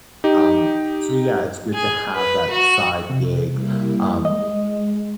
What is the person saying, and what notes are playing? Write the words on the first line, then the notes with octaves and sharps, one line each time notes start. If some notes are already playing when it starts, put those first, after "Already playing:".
Um, so, yeah, it's good to have that side gig, um,
D#4 G4
G#4
B4
F#4
C3
G3 A#3 E4
G#3 D#5